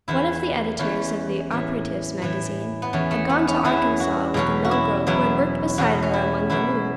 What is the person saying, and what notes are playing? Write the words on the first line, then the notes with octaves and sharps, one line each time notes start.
One of the editors of the "Operatives' Magazine" had gone to Arkansas with a mill-girl who had worked beside her among the looms.
E2 E3 E4
E2 E3 C#4
A2 E3
A2 E3
B3
E2 E3 C#4
A3
B3
C#4
E2 E3 E4
F#4
E2 B2 F#3 C#4
F#4
E4
E2 B2 F#3 E4
E2 B2 F#3 F#4
C#4
E4
E2 B2 F#3 E4